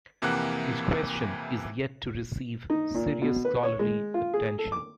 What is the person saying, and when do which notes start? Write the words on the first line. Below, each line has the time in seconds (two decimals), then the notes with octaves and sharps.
His question is yet to receive serious scholarly attention.
0.22 F2 C3 E3 A#3 F#5 F#6
2.70 D#4
2.94 A#2
3.22 B2
3.45 B4
3.63 C#5
3.79 G#3
4.14 F4
4.34 G#4
4.59 A4
4.72 D6